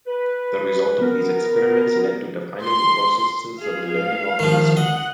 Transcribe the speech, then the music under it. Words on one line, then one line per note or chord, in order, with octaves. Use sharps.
The result of these experiments led to defining the processes of learning optimism.
B4
B3 A#4
C6
G#4 F5
F5
D#3 F3
D#5 F#5